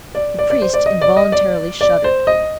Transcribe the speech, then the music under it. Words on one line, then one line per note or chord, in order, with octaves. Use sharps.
The priest involuntarily shuddered.
D5
D5
D5
C5
D5
D#5
D5
D#5
D5
D5
C5
D#5